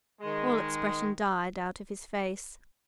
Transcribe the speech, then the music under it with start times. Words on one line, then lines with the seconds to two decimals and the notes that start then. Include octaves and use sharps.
All expression died out of his face.
0.21 D#3 G#3